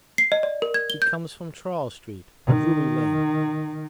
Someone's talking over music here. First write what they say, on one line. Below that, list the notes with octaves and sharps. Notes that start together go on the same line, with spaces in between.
She comes from Charles Street, Drury Lane!'
C7
D#5
D5
A#4
G#6
G7
G6
D#3